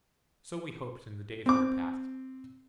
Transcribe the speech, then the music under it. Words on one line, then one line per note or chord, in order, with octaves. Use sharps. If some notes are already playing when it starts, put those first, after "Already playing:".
So we hoped in the days that are past.
C4 D6